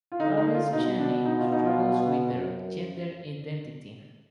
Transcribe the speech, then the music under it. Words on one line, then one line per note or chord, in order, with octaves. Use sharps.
Lawrence Chaney struggles with their gender identity.
F4
D3 D#4
D#4
F4
B2 D#4
D4
D#4
F4
D#4
F4
F#2